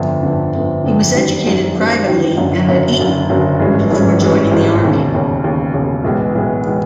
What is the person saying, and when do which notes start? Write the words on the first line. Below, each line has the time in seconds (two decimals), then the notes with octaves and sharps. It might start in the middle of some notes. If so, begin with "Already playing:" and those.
He was educated privately and at Eton before joining the army.
Already playing: G1 F2 D3
0.23 G1 F2 D3
0.53 G1 F2 D3
0.84 G1 F2 D3
1.15 F#2 D#3 G3 C4
1.45 F#2 D#3 G3 C4
1.76 F#2 D#3 G3 C4
2.07 F#2 D#3 G3 C4
2.37 F#1 F#2 D3 F#3
2.67 F#1 F#2 D3 F#3
2.98 F#1 F#2 D3 F#3
3.29 F#1 F#2 D3 F#3
3.59 G#1 G2 E3 G#3 C#4
3.90 G#1 G2 E3 G#3 C#4
4.21 G#1 G2 E3 G#3 C#4
4.51 G#1 G2 E3 G#3 C#4
4.82 E1 D#2 C#3
5.13 E1 D#2 C#3
5.43 E1 D#2 C#3
5.74 E1 D#2 C#3
6.04 B1 A2 E3 G#3 B3
6.35 B1 A2 E3 G#3 B3
6.65 A2 E3 G#3 B3